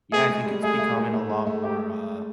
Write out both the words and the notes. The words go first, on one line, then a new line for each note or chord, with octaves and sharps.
Yeah, I think it's becoming a lot more, uh,
A3 G#4
G#3
G3
A3 G#4
A3
A#3
A3
G#3
A3
A3 G4